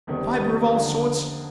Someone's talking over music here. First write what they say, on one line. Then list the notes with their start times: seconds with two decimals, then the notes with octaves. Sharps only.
Fibre of all sorts.
0.07 F#1 E2 C3 D#3 G3
0.74 D3 F3 A#3